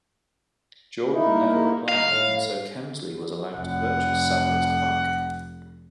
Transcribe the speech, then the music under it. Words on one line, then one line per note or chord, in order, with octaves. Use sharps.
Jordan never replied and so Kemsley was allowed to purchase Selhurst Park.
A#3 D#4 E4
D#4 F5
A2
F1 F#5